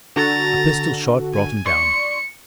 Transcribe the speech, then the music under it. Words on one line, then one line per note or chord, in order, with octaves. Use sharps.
A pistol-shot brought him down.
D3 F#4 A4 A#5 A6
G#5
D5 C6 C#6 C#7